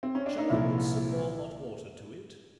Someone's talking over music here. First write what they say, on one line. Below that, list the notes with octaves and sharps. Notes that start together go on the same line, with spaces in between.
Shall I put some more hot water to it?
C4
C#4
D4
D#4
C2 A#2 F3 E4